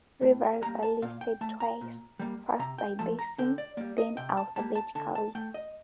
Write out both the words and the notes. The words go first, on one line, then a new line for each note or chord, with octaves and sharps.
Rivers are listed twice, first by basin, then alphabetically.
A2
G3 A#3 A#5
A5
A#2 F5
G5
A3 A5
A#5
A#2
G3 A#3
C3 A#5
G5
F3 A3 A5
A#5
D3 G5
D5
G3 A#3 D5
D#5
C3 G5
A5
G3 A#3 A5
A5
D3 A5
A5
A3 G5
D#5